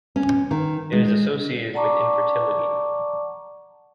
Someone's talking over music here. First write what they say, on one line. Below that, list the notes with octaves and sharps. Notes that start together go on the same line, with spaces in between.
It is associated with infertility.
C#4
D#3
G#3
D5 F#5 A5 A#5 C#6 D6